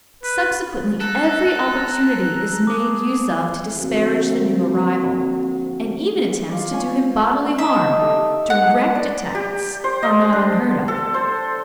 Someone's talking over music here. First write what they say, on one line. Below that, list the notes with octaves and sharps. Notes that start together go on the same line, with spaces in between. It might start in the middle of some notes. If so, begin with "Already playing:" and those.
Subsequently every opportunity is made use of to disparage the new arrival, and even attempts to do him bodily harm, direct attacks, are not unheard of.
B4
A4 A#5 F#6
G#4 D6
D3 F3 A#3 C4 F#4
F4 D5
C#4 G#5 C#6
D#4 D#5 E5 A5
G4 A4
F#5
D5
G4
C5
D#5
D4
A4
C5